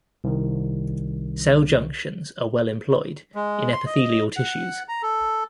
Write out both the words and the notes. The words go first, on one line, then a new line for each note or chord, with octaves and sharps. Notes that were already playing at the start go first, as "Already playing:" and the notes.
Cell junctions are well-employed in epithelial tissues.
C2 D#3
G#3
C6
D#5
F#5
A#5
A4